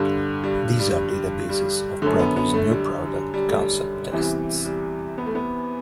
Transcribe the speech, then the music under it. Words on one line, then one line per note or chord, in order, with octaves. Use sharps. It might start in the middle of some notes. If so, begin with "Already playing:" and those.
These are databases of previous new-product concept tests.
Already playing: G2 D3 G3
G3
G3
G3
F#2 D3 A3
B3
B3
A3
G3
G3
G3
A3
G3
E2 C3 E3
G3
B3
A3
B3